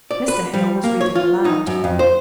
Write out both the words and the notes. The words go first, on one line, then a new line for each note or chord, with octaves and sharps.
Mr. Hale was reading aloud.
D5
B4
G3
A#3
C#5
F4
D#4
F#2
F2
C5